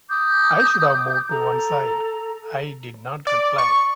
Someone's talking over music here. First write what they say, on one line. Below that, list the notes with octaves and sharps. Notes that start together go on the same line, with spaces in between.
I should have moved to one side. I did not reply.
D6 D#6 G6
A4 A#5
D5
C#6